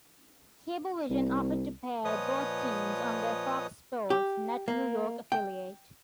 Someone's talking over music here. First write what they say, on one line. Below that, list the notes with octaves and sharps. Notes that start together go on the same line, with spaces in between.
Cablevision offered to pair both teams on their Fox Sports Net New York affiliate.
C2
A#2 F3 B4 C#5 D#5 D#6
G4
A#3
G5